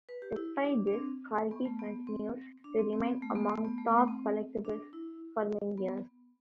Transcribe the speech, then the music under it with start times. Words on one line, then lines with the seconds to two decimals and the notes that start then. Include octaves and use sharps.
Despite this, Corgi continued to remain among top collectables for many years.
0.09 B4
0.22 G4
0.36 E4
0.65 D4
0.87 D4
0.93 C4
1.51 B3
1.65 A3
1.79 B3
2.07 C4
2.64 D4
2.79 C4
2.93 C4
3.07 B3
3.22 A3
3.35 B3
3.50 A3
3.65 B3
3.78 A3
3.88 B3
3.98 A3
4.08 C4
4.65 D4
4.93 E4
5.78 B3